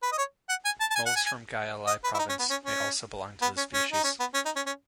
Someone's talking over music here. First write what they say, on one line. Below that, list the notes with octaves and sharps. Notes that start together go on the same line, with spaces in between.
Moles from Gia Lai Province may also belong to this species.
B4
D#5
C#5
F#5
G#5
A5
A5
G#5
F#5
G#5
G#5
D#5
B4
E4
D#4
C#4
B3
C#4
C#4
B3
C#4
C#4
D#4
C#4
B3
C#4
D#4
C#4
C#4